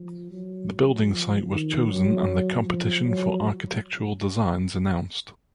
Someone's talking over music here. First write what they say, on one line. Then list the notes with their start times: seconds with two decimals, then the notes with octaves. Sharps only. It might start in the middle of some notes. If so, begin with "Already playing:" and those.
The building site was chosen and the competition for the architectural designs announced.
Already playing: F3
0.31 F#3
0.70 F#3
1.09 F3
1.49 D#3
1.87 F#3
2.66 F3
3.05 F#3